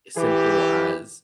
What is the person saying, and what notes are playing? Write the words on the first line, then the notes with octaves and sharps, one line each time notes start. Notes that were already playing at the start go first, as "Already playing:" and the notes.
simple as
E3 G4